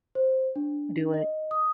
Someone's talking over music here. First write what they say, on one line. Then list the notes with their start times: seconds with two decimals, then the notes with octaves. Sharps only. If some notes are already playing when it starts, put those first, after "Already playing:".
Do it.
0.15 C5
0.56 D4
1.14 D#5
1.51 D#6